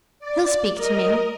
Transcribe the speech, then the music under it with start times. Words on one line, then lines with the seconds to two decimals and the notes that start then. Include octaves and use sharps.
He'll speak to me.
0.19 D5
0.74 A#4 D#5